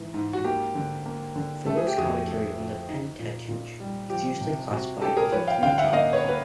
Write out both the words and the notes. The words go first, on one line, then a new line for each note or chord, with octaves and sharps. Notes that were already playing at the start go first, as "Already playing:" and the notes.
Philo's commentary on the Pentateuch is usually classified within three genres.
Already playing: G#2 E3
G#2
F#4
A#3 G4
D3
A#3
D3
A3 A4
G#4
G4
F2 F#4 G#4
A3
F3
D#4
A#2
A#2
G3
F3 G4
C3
C3 F#4
G#3 G4 A4
G#4 A#4
F3 B4 C#5
F5 G5
D3 F5 G5
E5 F#5
A#3 D#5 F5
B4 C#5
A#3 B4